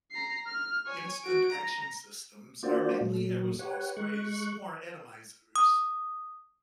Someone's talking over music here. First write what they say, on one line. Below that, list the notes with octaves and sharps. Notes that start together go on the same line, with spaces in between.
Instant action systems are mainly aerosol sprays, or atomizers.
A#5 C7
F6
C#5 G#5
F#4 D7
A#5
A#3 D4 F4 F#4 C5 D5
A#2 F#3
G4 B4 C#5 F#5
G#3 C#6 F#6
D#6